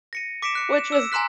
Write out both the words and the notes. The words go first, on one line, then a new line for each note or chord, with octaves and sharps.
which was
A#6 C#7 D#7
D6 B6 C#7 D7 E7
F#6 C#7
E7
E6 E7
G#5 A#5 C6 F#6 B6